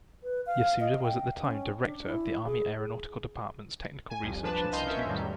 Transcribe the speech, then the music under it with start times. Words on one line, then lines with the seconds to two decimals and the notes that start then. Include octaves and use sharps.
Yasuda was at the time director of the Army Aeronautical Department's Technical Research Institute.
0.24 B4
0.46 F5
0.81 D#5
1.03 G5
1.42 C#4
1.84 D4
2.07 E4
2.45 G#4
4.10 G#5
4.22 C2 F2
4.42 F3 D4 B4 A5
4.72 C2 D#5 F5 C6 G6
4.87 C#4 A#4 E5
5.06 F2 A2 D#3 F#3 G3